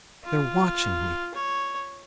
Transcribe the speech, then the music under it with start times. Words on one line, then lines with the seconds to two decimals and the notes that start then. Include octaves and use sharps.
They're watching me.
0.24 F4
1.34 C#5